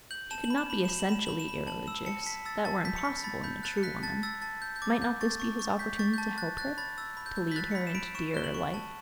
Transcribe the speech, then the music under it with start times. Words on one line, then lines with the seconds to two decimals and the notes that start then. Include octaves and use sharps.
She could not be essentially irreligious--that were impossible in a true woman. Might not this be his opportunity to help her--to lead her into dearer light?
0.11 G6 F#7
0.31 A5 E7
0.44 F#7
0.50 B5
0.58 E7
0.70 B5 F#7
0.85 B5 E7
0.99 F#7
1.09 B5 E7
1.26 B5 F#7
1.40 E7
1.49 B5
1.67 A5 F#7
1.87 E6 E7
2.06 A5 C#7
2.26 A5 B6
2.45 E6 A6
2.65 A5 A6
2.85 G6 B6
2.96 C#7
3.05 B5 B6
3.24 B5 A6
3.44 B5 G6
3.63 F#6 A6
3.77 C#7
3.83 F#6 B6
4.03 A5 A6
4.23 E6 A6
4.42 A5 A6
4.62 G6
4.76 G6
4.82 D6 A6
5.02 G6
5.21 C#6 A6
5.40 C#6
5.59 C#6
5.79 G6 B6
5.93 G6
5.99 C#6 A6
6.14 G6
6.18 A5 A6
6.38 F#6 A6
6.58 F#6 A6
6.78 B5 A6
6.98 E6 A6
7.17 B5
7.26 G6
7.36 G6
7.51 B6
7.56 F#6 A6
7.71 C#7
7.75 B5 B6
7.87 E7
7.95 B5 D7
8.15 C#6 E7
8.34 F#6 G7
8.44 F#7
8.54 C#6
8.74 A5